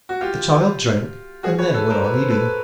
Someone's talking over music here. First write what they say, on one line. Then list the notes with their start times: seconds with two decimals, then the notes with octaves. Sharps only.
The child drank, and then went on eating.
0.09 F#4
0.21 F4 G4
1.43 F#4 G#4
1.59 B4 C#5
1.74 A4 B4
1.90 A#4 C5
2.05 B4
2.17 C5
2.30 A4 B4